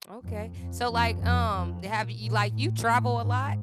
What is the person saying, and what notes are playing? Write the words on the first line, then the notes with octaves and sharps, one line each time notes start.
Okay. So, like, um, they have you like, you travel a lot?
F2
F2
F2
F2
F2
A#2
A#2
A2
A2
G#2